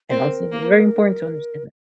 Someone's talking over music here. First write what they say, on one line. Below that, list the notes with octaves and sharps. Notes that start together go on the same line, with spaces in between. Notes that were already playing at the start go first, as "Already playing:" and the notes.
and honestly, it's very important to understand that,
C4 A#4
A#3